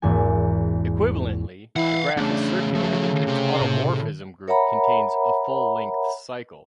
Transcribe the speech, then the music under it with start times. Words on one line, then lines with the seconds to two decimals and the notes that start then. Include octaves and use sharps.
Equivalently, a graph is circulant if its automorphism group contains a full-length cycle.
0.02 G#1 E2 A#3 G#5
1.76 E3 E4 F5 F#5
2.17 E2 C#3 A3 D4
2.75 F3 F#3 A3
3.27 C3
3.61 A2
4.48 A#4 C#5 E5 F#5 A#5 B5